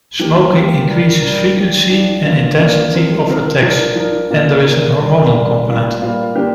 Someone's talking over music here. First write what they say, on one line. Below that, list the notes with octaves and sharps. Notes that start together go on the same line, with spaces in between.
Smoking increases frequency and intensity of attacks, and there is a hormonal component.
F3 A#3 G4
F3 A#3 G4
G3 D4 A#4
G3 D4 A#4
F3 D4 G4
F3 D4 G4
D3 A#3 D4 F4
D3 A#3 D4 F4
F3 C4 A#4
F3 C4 A#4
F3 D4 A#4
F3 D4 A#4
A#2 A#3 D4 A#4
A#2 A#3 D4 A#4
G3 D4 A#4
G3 D4 A#4
G3 A#3 F4
G3 A#3 F4
D3 A#3 D4 G4